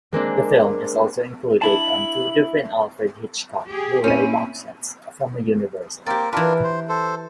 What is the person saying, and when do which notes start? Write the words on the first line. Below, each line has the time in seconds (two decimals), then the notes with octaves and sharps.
The film is also included on two different Alfred Hitchcock Blu-ray boxsets from Universal.
0.12 G#3 A#3 C4 D4
1.62 D4 E4 A5 F#7
3.67 G4 G#4
4.04 A#2 C4 C#4 E4 D#7
6.06 A#3 C4 G4 A#4 D5
6.33 E3 D4 F4 A#4 B4
6.64 C5
6.89 A4 C5